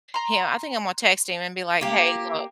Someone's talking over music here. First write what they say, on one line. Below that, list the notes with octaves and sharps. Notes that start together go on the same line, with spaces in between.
him I think I'm gonna text him and be like, "Hey, look"
A#5 C6
A#3 G4